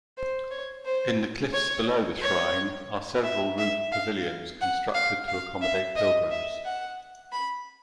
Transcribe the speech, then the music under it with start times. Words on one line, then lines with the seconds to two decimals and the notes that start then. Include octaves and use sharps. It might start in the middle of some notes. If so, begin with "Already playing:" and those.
In the cliffs below the shrine are several roofed pavilions constructed to accommodate pilgrims.
0.18 C5
0.51 C#5
0.85 C5
1.53 C#5
2.22 C#5
3.23 E5
3.58 E5
3.92 F5
4.61 F#5
4.94 F5
5.28 F5
5.62 E5
5.96 D#5
6.31 E5
6.65 F#5
7.32 B5